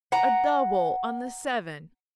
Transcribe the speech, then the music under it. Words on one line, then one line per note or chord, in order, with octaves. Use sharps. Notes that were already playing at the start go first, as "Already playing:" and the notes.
"A 'double' on the seven!"
F#5 A#5